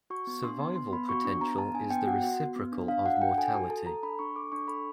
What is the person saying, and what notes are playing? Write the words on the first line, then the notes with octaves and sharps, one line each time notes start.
Survival potential is the reciprocal of mortality.
F#4 C#6
B3
D4 C6
B3
B3 C6
B3 B5
F#4 C#6
D4
B3 A#5
B3 A5
D4 G#5
B3 G5
F#4 F#5
F#4
B3
B3
D4
D4 F5
F#4 F#5
F#5
D4 G5
A4 G#5
F#4 A5
A4 A5
A4 A#5
D4 B5
D4 C#6
A4 D6
D4 C#6
A4 B5